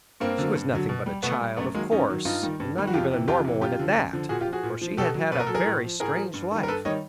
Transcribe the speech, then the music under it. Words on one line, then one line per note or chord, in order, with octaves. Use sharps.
She was nothing but a child, of course, and not even a normal one at that, for she had had a very strange life.
G2 A#3 C4
D3 F#3
G2
D3 F#3
B2
G3
B2 A3 B3
G3
F#2 A3 B3
D#3 F#3 G#3 A#3
F#2 C#4 D#4
D#3 F#3
G2 D#4 F4
D#3 G3
G2
D#3 G3
F#4
F2 F4 G4
C3 E3
F2 F4 G4
C3 E3
F#2 F4 G4
D3 F3
F#2
D3 F3
A#2 F#4 G#4
F4 G4
F3
F#4 G#4
A#2
F3
B2 G4 A4
F#3
B2 B4
A#4
F#3 A4
G#4 A#4
A2
F3
A2 G#4 A#4
F3
G2
D#3 G3
A#4
G2 A4 B4
D#3 G3 C#5 D#5